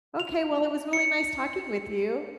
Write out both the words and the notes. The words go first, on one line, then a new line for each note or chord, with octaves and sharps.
Okay, well, it was really nice talking with you.
F7
C#7